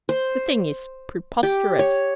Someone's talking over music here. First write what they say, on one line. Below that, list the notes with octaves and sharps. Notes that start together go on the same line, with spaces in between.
The thing is preposterous!
C5
G4
C#5